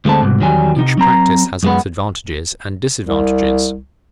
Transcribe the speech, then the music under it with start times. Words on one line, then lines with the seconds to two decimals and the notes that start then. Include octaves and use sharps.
Each practice has its advantages and disadvantages.
0.05 D2 G#3 A3 C4 A5
0.22 C2 G#2 B2
0.40 E2 D#3 F#3 G3 G#5
0.76 C3 D#4
0.97 F#3 C4 A#5
1.63 F#2 G#3 B3
3.07 C2